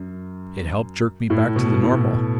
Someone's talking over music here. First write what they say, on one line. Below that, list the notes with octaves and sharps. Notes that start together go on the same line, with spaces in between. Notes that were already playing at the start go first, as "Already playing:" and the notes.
It helped jerk me back to the normal.
Already playing: F#2
A2
B2
A2